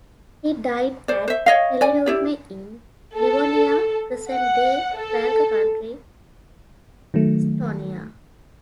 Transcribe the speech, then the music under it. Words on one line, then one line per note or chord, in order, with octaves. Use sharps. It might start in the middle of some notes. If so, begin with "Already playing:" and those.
He died at Hellenurme in Livonia, present-day Valga County, Estonia.
C5 D5
C5 E5
C#5 D#5 F5
D5 G#5
E4 G4 D5
A4
F#5
A4
D#3 F#3 A3